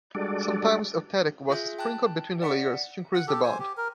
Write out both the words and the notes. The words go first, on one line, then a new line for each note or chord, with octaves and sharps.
Sometimes eutectic was sprinkled between the layers to increase the bond.
G3 G#3 D4 F#4 A4 D5
F4 G#4 E5 G6
G5 A5 F#6
D5 F#5 B6 C#7
F#5
G4 A4
C5 G#5
G4
A#4